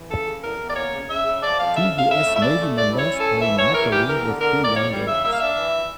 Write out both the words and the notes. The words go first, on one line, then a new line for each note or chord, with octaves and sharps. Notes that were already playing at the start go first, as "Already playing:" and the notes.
Two US Navy members play monopoly with two young girls.
Already playing: E3
C#3 A4
C#3
E2 A#4
E2
D5
A#3 C#5
C#3
C#3 E5
C#3
F3 D5
F2 F5
C#3 E5
F2
F5
C#3 E5
A3
E5
C#3 D5
A3
G2 D5
E4
C#5
C#4
A4
F3
E3 E5
E3 C#5
E2 A#4
E3 G4
E2 A#4
D3
D3 A#4
E2
D5
F2 C#5
G3
C#3 E5
A#3 E5
F5
D4 E5
E3